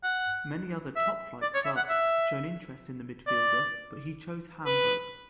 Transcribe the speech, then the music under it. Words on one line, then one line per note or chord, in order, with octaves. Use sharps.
Many other top-flight clubs had shown interest in the midfielder but he chose Hamburg.
F#5
E5
D5
C#5
E5
F#5
E5
D5
B4